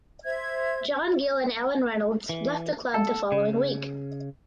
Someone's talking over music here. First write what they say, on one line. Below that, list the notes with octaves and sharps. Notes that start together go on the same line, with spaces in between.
John Gill and Alan Reynolds left the club the following week.
C5 E5 G#6
E3
A4
C#3